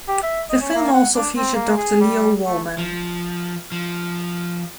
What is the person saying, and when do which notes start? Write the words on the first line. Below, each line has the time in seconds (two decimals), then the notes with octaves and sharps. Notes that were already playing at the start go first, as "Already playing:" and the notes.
The film also featured Doctor Leo Wollman.
0.08 G4
0.23 E5
0.50 D#5
0.61 C#4
0.75 A#3
0.93 F#5
1.16 D4
1.37 C4
1.55 A#3
1.77 G#4
2.00 G3
2.45 A3
2.78 F3
3.72 F3